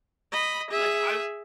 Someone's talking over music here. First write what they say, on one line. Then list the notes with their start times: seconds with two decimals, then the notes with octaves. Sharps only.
like I
0.32 D#5 B5
0.70 G#4 E5